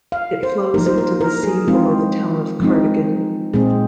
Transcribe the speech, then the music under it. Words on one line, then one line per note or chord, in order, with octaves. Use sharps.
It flows into the sea below the town of Cardigan.
F5
C5
F3 A#3 D#4 A#4
C5
A#4
A#4
G#4
F3 G#3 C4 D#4 F4
F3 G#3 C4 D#4
A#2 G#3 C4 G#4